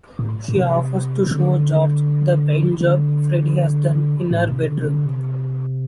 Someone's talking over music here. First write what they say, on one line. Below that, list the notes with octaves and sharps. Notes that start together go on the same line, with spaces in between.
She offers to show George the paint job Freddie has done in her bedroom.
A2
A2
C3
C3
D3
D3
A2
C3
D3
C3
D3
C3